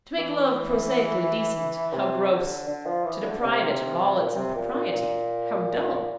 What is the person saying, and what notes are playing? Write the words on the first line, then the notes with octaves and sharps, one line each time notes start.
To make Love prosaically decent, how gross! to deprive it of all impropriety, how dull!
E3
C3
D3
D3
F3
E3
D3
C3
A#2
C3
A#2
A#2
A#2